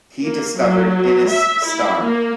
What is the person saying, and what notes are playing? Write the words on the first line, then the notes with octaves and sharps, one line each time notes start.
He discovered Innes star.
A#3
F#3
E5
E4
A#3